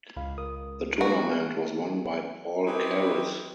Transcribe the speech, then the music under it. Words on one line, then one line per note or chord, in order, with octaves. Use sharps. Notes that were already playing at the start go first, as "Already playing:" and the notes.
The tournament was won by Paul Keres.
C#2 F5 B5
A#4 D#6
A#3 F#4 A#4
F#3 C4 E4 G4 B4 D#5